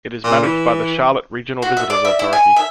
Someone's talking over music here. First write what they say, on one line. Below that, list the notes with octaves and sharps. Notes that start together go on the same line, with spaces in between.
It is managed by the Charlotte Regional Visitors Authority.
A#2
E3
F#4
E5
D5
E5
E4
G#5
E5